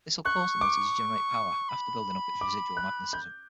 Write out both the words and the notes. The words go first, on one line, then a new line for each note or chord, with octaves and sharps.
This will cause the motor to generate power after building up its residual magnetism.
C#6 F#6
D6
B5
D6
F#6
G6